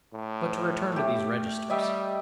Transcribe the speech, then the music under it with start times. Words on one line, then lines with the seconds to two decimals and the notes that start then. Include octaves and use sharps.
"But to return to these registers."
0.14 A2
0.92 A3 G4
1.70 G3 D#5 E5 G5